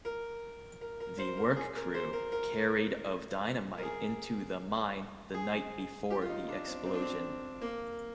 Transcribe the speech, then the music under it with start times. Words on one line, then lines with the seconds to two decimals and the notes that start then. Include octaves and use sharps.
The work crew carried of dynamite into the mine the night before the explosion.
0.05 A#4
0.81 A#4
1.00 A#4
1.18 C5
1.37 A#4
1.56 G#4
1.76 A#4
1.94 C5
2.13 A#4
2.32 A#4
3.78 A#4
3.83 G#4
5.34 G#4
6.10 G4
6.22 F4
6.29 D#4
6.48 D4
6.67 C4
6.86 C4
6.94 D4
7.02 C4
7.62 A#3